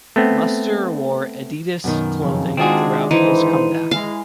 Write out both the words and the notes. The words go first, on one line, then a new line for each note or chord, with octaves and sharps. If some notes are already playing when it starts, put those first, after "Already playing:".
Muster wore Adidas clothing throughout his comeback.
A3 B3 C4
F#2 B2 D#3
F2 C#3
D#3 G#3 C4 D4 F4 F#4 G#4
G#2 D3 E3 D#4 C5
G#3 E4 F5